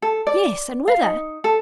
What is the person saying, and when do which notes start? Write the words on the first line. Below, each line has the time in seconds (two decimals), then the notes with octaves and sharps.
Yes, and whither?
0.02 A4
0.27 D5
0.88 F5
1.02 D#4
1.44 A4